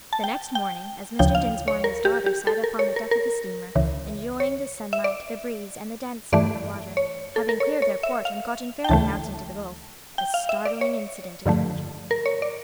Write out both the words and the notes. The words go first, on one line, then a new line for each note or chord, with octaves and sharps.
The next morning, as Mr. Dinsmore and his daughter sat upon the deck of the steamer, enjoying the sunlight, the breeze, and the dancing of the water, having cleared their port and gotten fairly out into the gulf, a startling incident occurred.
A5
G5
G5
D2 C#3 F3 G5
F5
C#5
A#4
G4
G4
A4
A#4
C#5
A#4
A#4
C#2 C#3 E3
C#5
E5
D5
G2 E3 A3 D5
C#5
A4
A#4
C#5
C#5
E5
F5
G5
D2 C#3 E3 A3 A5
G5
F5
E5
D5
C#5
G2 D3 F3 A3
A#4
C#5
D5